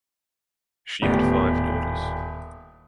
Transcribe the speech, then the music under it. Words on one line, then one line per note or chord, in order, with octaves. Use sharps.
She had five daughters.
D#1 A2 B3 G4 D5